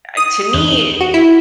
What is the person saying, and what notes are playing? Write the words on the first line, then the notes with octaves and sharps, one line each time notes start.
uh, to me,
D#6
E2
F#4
E4